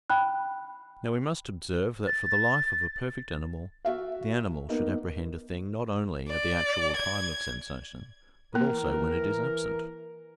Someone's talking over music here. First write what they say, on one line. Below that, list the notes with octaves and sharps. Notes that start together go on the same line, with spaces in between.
Now we must observe that for the life of a perfect animal, the animal should apprehend a thing not only at the actual time of sensation, but also when it is absent.
G5 B5 F#6
A6
F#4 E5 F5
A#3 B3 D#4 A#4
D5
G#6
E3 A#3 A#4